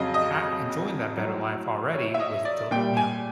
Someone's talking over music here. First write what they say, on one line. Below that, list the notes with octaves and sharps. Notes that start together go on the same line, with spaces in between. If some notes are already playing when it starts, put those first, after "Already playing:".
ha enjoying that better life already with the you know,
Already playing: F2 C#3 F#3 D#5 F5
D#5
A2 F#3
C#5
E5
D#5
D5
A#2 G3 G5
G#5